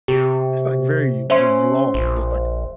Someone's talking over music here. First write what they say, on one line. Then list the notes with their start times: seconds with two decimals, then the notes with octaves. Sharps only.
it's like very l long, it's like
0.08 C3 G4
1.30 C#4 C5 E5 C6
1.94 A#1